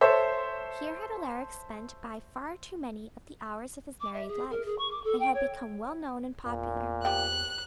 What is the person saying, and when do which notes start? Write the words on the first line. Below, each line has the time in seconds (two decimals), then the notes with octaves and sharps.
Here had Alaric spent by far too many of the hours of his married life, and had become well known and popular.
0.01 A4 C5 C#5 E5
4.00 D6
4.13 E5
4.27 G#4
4.50 A#4
4.65 G#4
4.78 C#6
4.90 D6
5.03 A4
5.19 G5
5.33 C#5
6.46 E2 A#2
7.05 F3 G3 G5 F#6